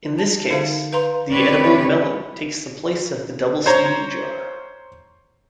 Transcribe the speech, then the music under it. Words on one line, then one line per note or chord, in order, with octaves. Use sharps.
In this case, the edible melon takes the place of the double steaming jar.
A5
D3 D#4 A4 C5 E5 F5
B4 F5 A#5 C6
C4 G4 B4 C#5 D5
C5 C#5 A#5